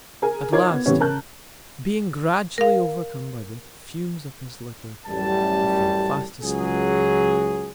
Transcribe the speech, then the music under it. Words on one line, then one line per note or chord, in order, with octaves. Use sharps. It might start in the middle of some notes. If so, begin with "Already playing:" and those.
At last, being gradually overcome by the Fumes of his Liquor, he fell fast asleep.
G#4 A#4 G#5
D#4 F4 A#4 C#5 D6 G#6
B3
A2 C3 E3 B3 C#4
C#3 A#4 A5 F#6 G6
A#4 F5
A1 F#2 G3 A5
C#2 F#3 G#4